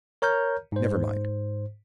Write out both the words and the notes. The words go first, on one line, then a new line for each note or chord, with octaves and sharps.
Never mind.
A#4 C#5 A#5 F6 G6
G#2 C5